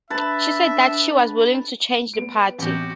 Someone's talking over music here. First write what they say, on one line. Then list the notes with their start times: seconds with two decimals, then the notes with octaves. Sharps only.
She said that she was willing to change the party.
0.10 D4 B4 E5 A5
2.14 B3 D7
2.59 A1 E3 B3 C4 F#4 G4 G6